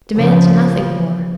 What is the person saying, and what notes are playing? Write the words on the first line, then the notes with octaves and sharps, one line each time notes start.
Demand nothing more.
C#3 F3